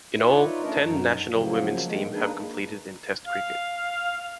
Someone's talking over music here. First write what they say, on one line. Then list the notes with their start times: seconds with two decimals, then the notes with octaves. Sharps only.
In all, ten national women's teams have competed in Test cricket.
0.18 D#4 F4 B4 C#5 D5 E5
0.62 A3 C#4 D4 A#4 D#5
0.81 F#2 F#3 D#4
1.32 C#3 F3 F#3 A#3
1.84 D#3 G#3
2.12 A#3 D4 D#4 G#4 B4
3.27 F5